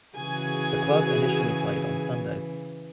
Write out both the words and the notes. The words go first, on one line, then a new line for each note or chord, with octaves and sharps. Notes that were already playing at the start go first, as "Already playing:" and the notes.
The club initially played on Sundays.
C#3 E3 F#4 G#4 G#5